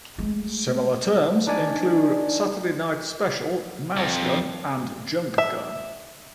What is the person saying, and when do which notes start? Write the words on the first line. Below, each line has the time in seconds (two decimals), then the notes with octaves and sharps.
Similar terms include Saturday night special, mousegun, and junk gun.
0.18 G#3 A3
1.47 D4 D#4 D5 G#5
3.97 F2
5.38 E5